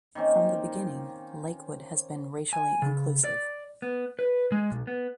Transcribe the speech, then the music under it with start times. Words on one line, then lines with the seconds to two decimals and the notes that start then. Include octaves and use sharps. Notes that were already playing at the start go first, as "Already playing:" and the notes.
From the beginning, Lakewood has been racially inclusive.
0.15 D#3 A#3 C4 C#4
2.53 G#5
2.82 C#3
3.24 D5
3.82 B3
4.19 B4
4.52 G#3
4.71 B1
4.87 B3